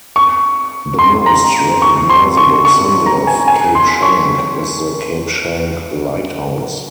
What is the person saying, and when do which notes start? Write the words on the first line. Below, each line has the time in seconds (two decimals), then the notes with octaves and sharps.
The most recognisable symbol of Cape Schanck is the Cape Schanck Lighthouse.
0.16 C#6
0.99 C6
1.26 A#5
1.82 C#6
2.10 C6
2.37 C#6
2.65 C#6
3.06 A#5
3.27 G#5
3.48 G#5
3.75 C6
4.02 C#6